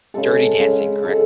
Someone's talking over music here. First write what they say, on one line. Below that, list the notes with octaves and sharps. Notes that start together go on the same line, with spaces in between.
Dirty Dancing, correct?
C#3 G#3 A4
C#3 G#3
C#3 G#3 A4